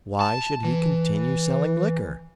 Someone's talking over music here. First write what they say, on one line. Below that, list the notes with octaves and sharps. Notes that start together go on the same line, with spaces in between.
Why should he continue selling liquor?
A5
E3